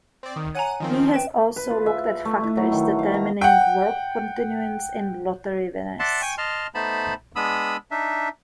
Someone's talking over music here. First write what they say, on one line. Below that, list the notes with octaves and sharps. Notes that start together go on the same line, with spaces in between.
He has also looked at factors determining work continuance in lottery winners.
C4 D5
D#3 D#6
C#5 F#5 G#5 A#5 D#7
D#3 F3 C4
B4 G5 E7
B4
F4
E5
A3
E4
F#3
D#3
F5
A#5
F#5 G5
D5 E5 F#5 A5 C6
G5 G#5 C#6
D#5 A5 C6 F6
A3 B3 D#4 C5 A5 B5
G#3 B3 D4 B5 D#6 E6
D4 D#4 E5